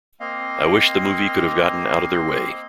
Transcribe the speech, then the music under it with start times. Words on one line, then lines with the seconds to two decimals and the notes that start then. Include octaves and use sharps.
I wish the movie could have gotten out of their way.
0.20 A#3 C4 D#5 F5